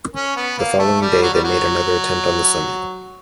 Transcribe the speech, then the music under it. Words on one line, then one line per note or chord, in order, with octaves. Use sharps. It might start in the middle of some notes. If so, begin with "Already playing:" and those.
The following day they made another attempt on the summit.
C#4
B3
A#3
A3
G3
F#3
G3
F#3